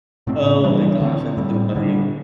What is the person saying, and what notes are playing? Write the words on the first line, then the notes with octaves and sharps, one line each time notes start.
Oh my gosh, that's so funny.
A2 A3 C4
E3 G3 D4
D3 A3 C4
A2 G3 C4
D3 G3 D4